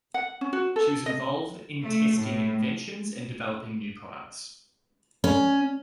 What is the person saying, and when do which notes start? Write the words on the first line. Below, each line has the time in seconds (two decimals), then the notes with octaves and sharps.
She was involved in testing inventions and developing new products.
0.14 F#5
0.41 C#4
0.53 F#4
0.76 A4
1.06 D#5
1.82 A3
2.17 A2
5.24 C#4